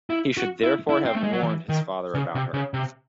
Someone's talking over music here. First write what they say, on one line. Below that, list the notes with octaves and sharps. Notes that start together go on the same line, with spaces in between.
He should therefore have warned his father about her.
E4
F#4
E4
E4
C4
A3
G#3
F#3
E3
D#3
C#3
C3
C#3
C3